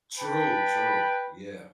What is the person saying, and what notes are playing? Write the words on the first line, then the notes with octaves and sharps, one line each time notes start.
True, true. Yeah.
B4 G5 A5 B5